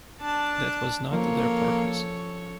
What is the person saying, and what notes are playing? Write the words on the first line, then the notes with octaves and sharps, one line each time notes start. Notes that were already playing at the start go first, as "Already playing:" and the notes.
That was not their purpose.
D4 A5
F3 A#3 C#4 A4 C#5